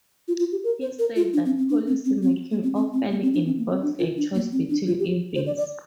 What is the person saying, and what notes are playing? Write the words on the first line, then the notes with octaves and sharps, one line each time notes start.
He said that policy making often involved a choice between 'evils'.
F4
F4
G4
A#4
C5
A#4
F4
D4
C4
C4
D4
C4
C4
C4
A#3
C4
C4
C4
A#3
C4
D4
C4
A#3
C4
D4
F4
D4
A#3
C4
D4
F4
G4
C5
D5
D5